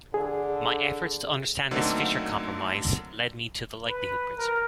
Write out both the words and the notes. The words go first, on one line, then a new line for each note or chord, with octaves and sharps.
My efforts to understand this Fisher compromise led me to the likelihood principle.
D3 G#4
D3 F#3 A3 A#3 C4 D#4
B4
A#4